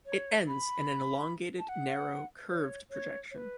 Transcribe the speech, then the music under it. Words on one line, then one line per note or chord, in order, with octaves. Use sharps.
It ends in an elongated, narrow, curved projection.
C#5
B5
A5
F#5
C#5
C#5
C#5
B4